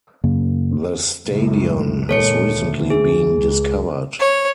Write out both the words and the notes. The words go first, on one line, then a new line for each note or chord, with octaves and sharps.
The stadion has recently been discovered.
F#2 C#3 A#3
C#2 F#2 A2
A#2 D#3 G#3 A4 C#5 C#7
D2
G#4
C#2
C#5